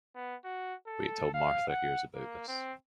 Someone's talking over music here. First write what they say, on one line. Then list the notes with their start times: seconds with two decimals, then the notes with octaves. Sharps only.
Wait till Martha hears about this.
0.15 B3
0.44 F#4
0.87 A4
1.34 F5
1.68 F#5
2.15 A#3
2.48 C4